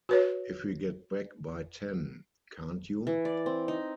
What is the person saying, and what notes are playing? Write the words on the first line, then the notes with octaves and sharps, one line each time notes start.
If we get back by ten, can't you?
F#4 B4 C#5
E3
D5
C4
D#4